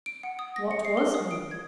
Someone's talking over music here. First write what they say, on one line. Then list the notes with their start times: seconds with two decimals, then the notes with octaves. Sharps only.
What was he?
0.06 D7
0.23 F#5
0.39 D#6
0.56 A#6
0.71 C#7
0.85 C7
0.97 A#4
1.14 D#6
1.31 D7
1.51 G#6